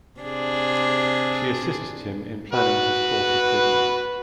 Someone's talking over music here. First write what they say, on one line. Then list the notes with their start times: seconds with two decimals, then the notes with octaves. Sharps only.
She assisted him in planning his course of treatment.
0.20 C3 D4 G#4
2.53 F#4 B4